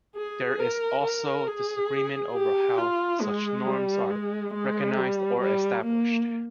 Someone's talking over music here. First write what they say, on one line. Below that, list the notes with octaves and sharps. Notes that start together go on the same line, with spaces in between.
There is also disagreement over how such norms are recognized or established.
G#4
A#4
A#4
G#4
G4
F4
G#3
G3
G#3
G#3
G3
G3
A#3